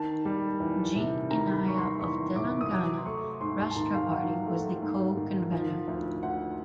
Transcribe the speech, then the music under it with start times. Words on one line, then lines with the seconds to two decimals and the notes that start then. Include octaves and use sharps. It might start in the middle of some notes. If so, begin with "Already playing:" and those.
G. Innaiah of Telangana Rashtra Party was the co-convenor.
Already playing: D#3 A5
0.25 G3
0.60 E2
0.96 C3
1.31 D#3 A#5
1.54 B5
1.66 G3 C#6
1.77 C6
2.01 E2 C#6
2.36 C3 D6
2.61 D#6
2.71 F#3 D6
2.98 C6
3.06 A3 C#6
3.41 G#2 C6
3.59 C6
3.71 A5
3.76 D#3 A#5
3.94 F5
4.07 G5
4.12 F#3 F#5
4.47 A3
4.82 G#2
5.17 D#3
5.52 F3
5.88 D2
6.23 D2 F#5